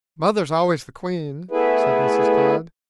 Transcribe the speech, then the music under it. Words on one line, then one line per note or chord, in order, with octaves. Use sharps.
"Mother's always the queen," said Mrs. Todd.
A3 B3 E4 G#4 B4